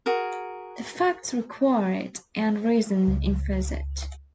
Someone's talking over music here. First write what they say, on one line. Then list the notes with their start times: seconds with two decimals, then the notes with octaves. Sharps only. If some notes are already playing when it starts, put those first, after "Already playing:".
The facts require it, and reason infers it.
0.06 F#4 G#4 A#4
3.07 C#2